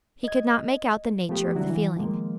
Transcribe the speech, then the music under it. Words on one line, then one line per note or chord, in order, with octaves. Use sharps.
He could not make out the nature of the feeling.
D#5 G#6
F3 A3 B3 G4
D3 F#3 G3 D4 E4 F#4
E3
D#3 F3 G#3 A#3